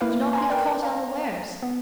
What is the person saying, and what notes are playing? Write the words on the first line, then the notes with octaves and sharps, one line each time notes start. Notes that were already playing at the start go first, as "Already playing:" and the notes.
Do not be caught unawares.
A#3 E4 B4 F5
G#5 A#5 C6
A#4 B4 D5 G5
F5 A#5
B3